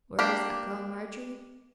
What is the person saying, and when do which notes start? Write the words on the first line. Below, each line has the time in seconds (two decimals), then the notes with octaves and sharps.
Where is that girl Margery?'
0.19 A#3 D4 G4